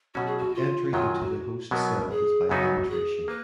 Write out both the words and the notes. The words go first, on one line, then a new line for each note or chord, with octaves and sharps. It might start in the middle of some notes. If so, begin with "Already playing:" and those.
Entry into the host cell is by penetration.
B2 F#3 C#4 F#4
G#4
F#4
F4
F#2 D#3 F#3 F4
F#4
B2 F#3 B3 A#4
G#4
F#2 C#3 F#3 B3 D#4 F#4
G#4
A#3 B4